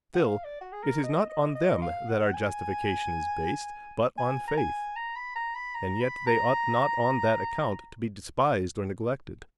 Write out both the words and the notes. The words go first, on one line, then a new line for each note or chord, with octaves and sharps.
Still it is not on them that our justification is based, but on faith; and yet they ought not on that account to be despised or neglected.
F#5
F5
D5
F#4
G#4
A#4
D#5
D#5
D#5
F5
F#5
G#5
G#5
A#5
G#5
A#5
B5
A#5
B5
A#5
B5
A#5